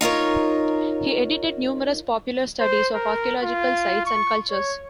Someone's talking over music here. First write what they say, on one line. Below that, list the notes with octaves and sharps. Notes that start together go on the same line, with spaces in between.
He edited numerous popular studies of archaeological sites and cultures.
D#4 F4 A#4 C#5
C5
A#4
F4
C#6
C#5